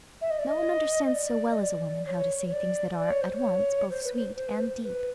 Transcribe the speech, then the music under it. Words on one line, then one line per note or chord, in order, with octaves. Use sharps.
No one understands so well as a woman, how to say things that are, at once, both sweet and deep.
E5
D#5
D5
D#5
D#5
D5
D#5
D5
C#5
C#5
D5
D5
C#5
C5
C#5
C5
B4
C5
C5
B4
C5
B4